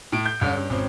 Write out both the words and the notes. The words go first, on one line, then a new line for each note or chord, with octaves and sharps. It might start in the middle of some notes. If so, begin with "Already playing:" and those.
Um, uh
A2 D7
G6
G2 C#4
G#1 C4 C#4